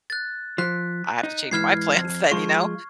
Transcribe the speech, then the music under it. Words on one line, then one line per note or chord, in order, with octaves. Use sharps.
I have to change my plans then, you know?
F#6 A6
F3 F#6 B6
D#4
G#2 E3 F6 G#6 C7
F2
F3 G#3 F4 C#6